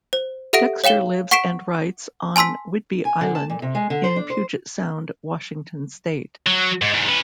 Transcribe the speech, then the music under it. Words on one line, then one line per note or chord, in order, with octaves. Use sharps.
Dexter lives and writes on Whidbey Island in Puget Sound, Washington state.
C5
G4 A4 E5 F#5 A#6 D7
C#5 F5 G5 E7 G7
F#5 C#6 B6 C7 D7 E7
G#5 A5 C6 E6 B6
G#5
D3
A5
A#2
C3
G#3
D3
C5
D4
C5
F#3
G#2
E2 G#2
C#4 B4